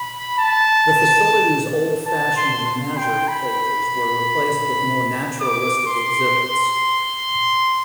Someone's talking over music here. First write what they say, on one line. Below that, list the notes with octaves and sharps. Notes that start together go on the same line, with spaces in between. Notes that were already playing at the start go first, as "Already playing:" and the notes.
The facility's old-fashioned menagerie cages were replaced with more naturalistic exhibits.
Already playing: B5
A5
A5
C6
C6
G5
B5
D6
C6